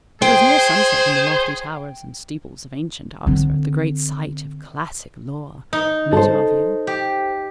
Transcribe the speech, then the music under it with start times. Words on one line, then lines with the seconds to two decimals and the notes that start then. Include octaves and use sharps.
It was near sunset when the lofty towers and steeples of ancient Oxford, the great site of classic lore, met our view.
0.22 G#4 C5 G5
3.27 D3 C4
5.73 D#4
6.13 A4 C5
6.87 G4